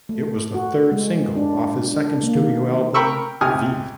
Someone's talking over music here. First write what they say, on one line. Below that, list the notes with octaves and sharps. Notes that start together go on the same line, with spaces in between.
It was the third single off his second studio album "V".
A3
F#4
G#3
D4
D4
A#3
D#3
A#4 G5 B5 C#6 E6
C#2 C3 G#5 D#6 F6